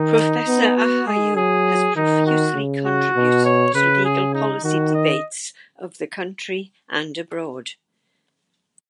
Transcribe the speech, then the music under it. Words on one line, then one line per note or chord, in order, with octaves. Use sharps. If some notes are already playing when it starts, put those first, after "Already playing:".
Professor Ahuja has profusely contributed to legal policy debates of the country and abroad.
Already playing: D#3 D#4
B3
F#4
G#3 G#4
F#3 G#4
D#3 D#4
F#4
C#3
F#4
B2
C#5
C#3 B4
G#4
D#4
D#3 F#4
D#5